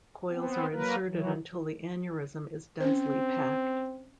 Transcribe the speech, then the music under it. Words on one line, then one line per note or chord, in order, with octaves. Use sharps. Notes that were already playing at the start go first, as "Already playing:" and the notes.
Coils are inserted until the aneurysm is densely packed.
B3 C4
F#3 A#3 A#4 B4
E3 F#3
C4 C#4 C5